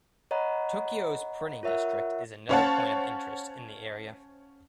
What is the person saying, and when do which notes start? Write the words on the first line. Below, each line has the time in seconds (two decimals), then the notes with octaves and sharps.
Tokyo's printing district is another point of interest in the area.
0.31 C#5 D#5 F#5 A#5 B5
1.63 F4 A#4 C#5 E5 F#5
2.49 C#4 C5 C#5 F5 F#5 A5